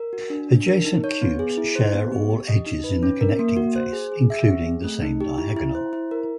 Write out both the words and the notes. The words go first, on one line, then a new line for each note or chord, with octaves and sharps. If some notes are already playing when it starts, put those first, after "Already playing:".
Adjacent cubes share all edges in the connecting face, including the same diagonal.
Already playing: A#4
F#4
D4
D4
A#4
D#4
C#5
B3
G#4
E4
C5
B3
G4
G4
D#5
D#4
B4
C#4
A#4
A#3
F#4
C5
G#4
G#4
E5
C4
G#4
A3
D#4
G4
E4
E4
C5
E4
A#4